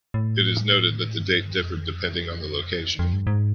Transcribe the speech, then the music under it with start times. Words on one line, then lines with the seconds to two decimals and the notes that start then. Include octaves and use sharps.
It is noted that the date differed depending on the location.
0.14 A2
1.19 G2
1.60 F2
2.99 F2
3.13 G2
3.27 G#2